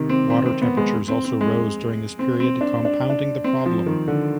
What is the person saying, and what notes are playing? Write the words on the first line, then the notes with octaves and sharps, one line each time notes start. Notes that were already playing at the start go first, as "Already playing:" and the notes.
Water temperatures also rose during this period, compounding the problem.
Already playing: C3 D#3
C4
C4
C4
B3
G#3
C4
C4
G#3
C4
C4
D4
D4
D4
C4
F3
D#3
D3